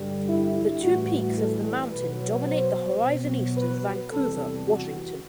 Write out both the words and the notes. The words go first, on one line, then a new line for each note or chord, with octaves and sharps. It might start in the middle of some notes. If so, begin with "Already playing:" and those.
The two peaks of the mountain dominate the horizon east of Vancouver, Washington.
Already playing: G2 D3 G3
E4
A2 E3 G3 F#4
A4
B2 F#3 B4
C5
B2 F#3
B4
E2 C3 E3 G3 A4
F#4